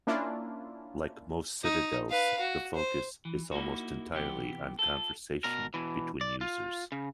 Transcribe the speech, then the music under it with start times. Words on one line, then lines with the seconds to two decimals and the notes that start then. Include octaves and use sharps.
Like most Citadels, the focus is almost entirely on conversation between users.
0.07 A#3 C#4 D4 E4 F4
1.63 D#4
2.10 B4 F5
2.39 F#4
2.75 C5
3.25 E3
3.52 A#3 D#4 E4 F#4
4.12 C3 E3 B3 G4
4.79 F4 A4
5.44 B2 A#4
5.74 B2 E3
6.21 D5
6.41 F4
6.92 C#3